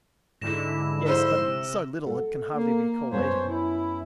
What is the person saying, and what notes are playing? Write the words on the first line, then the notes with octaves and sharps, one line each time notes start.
"Yes; but so little, it can hardly be called eating."
G#2 D3 E4 A#6 E7
F3 C5 E6
C3
A4 F#5
A#3
F#2 B3 C5 C#5 A5
E4